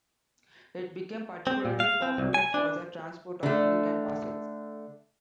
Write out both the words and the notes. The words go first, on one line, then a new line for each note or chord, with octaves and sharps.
It became particularly popular for the transport of milk and parcels.
C4
A#2
F5
C4
C2
G#5
D4
D3 A3